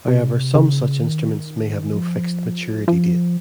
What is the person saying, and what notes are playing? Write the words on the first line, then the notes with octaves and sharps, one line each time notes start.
However some such instruments may have no fixed maturity date.
C3
C#3
D#3
F3
F3